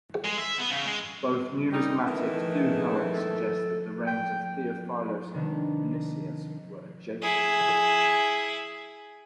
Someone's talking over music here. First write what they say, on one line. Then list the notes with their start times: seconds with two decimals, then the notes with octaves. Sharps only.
Both numismatics do however suggest that the reigns of Theophilos and Nicias were adjacent.
0.25 G#3
0.38 E5
0.58 B3
0.70 C#3
0.86 G#3
1.72 D#3 G3 D#4
2.05 D#3 E3 A3
2.68 G#4
3.13 A4
4.07 G5
5.33 C3 D#3 B3 D4
7.22 E4 G#4